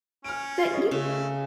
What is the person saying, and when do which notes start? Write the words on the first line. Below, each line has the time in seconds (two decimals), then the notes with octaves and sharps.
that you
0.24 C#4 F6 D7
0.71 G#4 C#5 D#5
0.91 C#3 A3